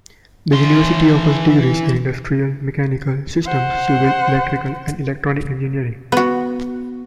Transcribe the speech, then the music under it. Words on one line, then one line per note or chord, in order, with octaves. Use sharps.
The university offers degrees in industrial, mechanical, systems, civil, electrical and electronic engineering.
E3 C6
C5 F#5
B3 F#4